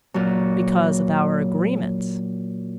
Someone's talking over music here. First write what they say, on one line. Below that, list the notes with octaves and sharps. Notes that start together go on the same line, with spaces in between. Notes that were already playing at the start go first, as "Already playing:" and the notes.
"Because of our agreement."
A#2 F#3